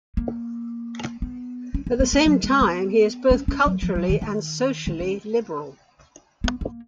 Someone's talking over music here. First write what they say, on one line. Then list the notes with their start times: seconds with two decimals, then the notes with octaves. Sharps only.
At the same time he is both culturally and socially liberal.
0.17 A#3
1.22 B3
1.74 C#4
1.87 C#4
2.00 B3
2.13 A#3
2.26 F#3
2.44 G#3
2.61 B3
3.31 C#4
3.48 C#4
3.66 F#3
3.82 F3
3.95 F#3
4.10 D#3
4.22 D#3
4.87 D#3
5.01 C#4
6.44 B3
6.61 A#3